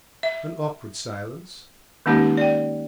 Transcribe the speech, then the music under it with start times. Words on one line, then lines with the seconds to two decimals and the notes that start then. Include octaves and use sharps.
An awkward silence.
0.23 E5
2.06 D#3 G#3 A#3 C#4 D#4 G4
2.37 D5 G5